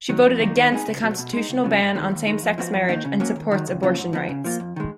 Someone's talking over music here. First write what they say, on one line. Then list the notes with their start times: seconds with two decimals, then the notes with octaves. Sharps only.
She voted against a constitutional ban on same-sex marriage and supports abortion rights.
0.09 D#3 F#3
0.25 F2
0.40 D#3 A#3 D#4
0.56 D#3
0.72 G#3 B3 D#4 G#4
0.87 C#2
1.02 B2 F#3 B3
1.18 B2
1.33 G#3 D#4
1.49 C#2
1.64 C#3 F#3 B3 F4
1.81 G#2
1.95 D#3 G#3 B3
2.11 D#2
2.27 D#3 G#3
2.42 F2
2.58 F3 B3 F#4
2.73 F2
2.89 D#3 A#3 D#4
3.05 C#3
3.20 F#3 A#3 C#4
3.36 D#2
3.52 D#3 F#3
3.67 C#2
3.83 C#3 F3 A#3 F4
3.98 G#2
4.13 F3 B3
4.29 C#3
4.44 F3 A#3 F4
4.60 F2
4.76 D#3 G#3